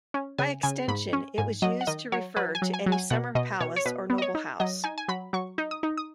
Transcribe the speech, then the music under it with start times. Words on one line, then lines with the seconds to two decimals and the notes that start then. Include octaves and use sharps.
By extension it was used to refer to any summer palace or noble house.
0.14 C#4
0.38 C#3 G#5
0.63 C#3 G#5
0.88 G#2 B5
1.13 C#4
1.38 G#2 G#5
1.62 F#3 D#5
1.81 F#5
1.87 D#3 D#5
2.12 F#3 C#5
2.37 F#3 B4
2.55 G#5
2.62 F#3
2.74 G#5
2.86 F#3
2.92 G#5
3.10 B2 F#5
3.35 B2 D#5
3.61 B2 C#5
3.76 C#5
3.86 B2 B4
4.10 B3
4.18 D#5
4.22 C#5
4.35 D#4
4.60 F#3 D#5
4.84 D#4 G#5
4.98 G#5
5.08 F#3 B5
5.33 F#3 C#6
5.58 D#4
5.71 D#6
5.83 D#4
5.97 D#6